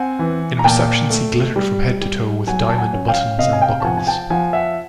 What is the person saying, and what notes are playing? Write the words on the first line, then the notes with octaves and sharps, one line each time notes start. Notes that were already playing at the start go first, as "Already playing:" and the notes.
In receptions he glittered from head to toe with diamond buttons and buckles.
Already playing: C4 F#5 G#5
E3
A#5
A#2 G5 A5
A3
G3
G3
F#3 F#5 G#5
A5
F#5 G#5
C#4
F5 G5
C3 D#5 F5
G#5
F5 G5
A5
F3 F#5 G#5
G#5
G5 A5
F3 F#5 G#5
E5 F#5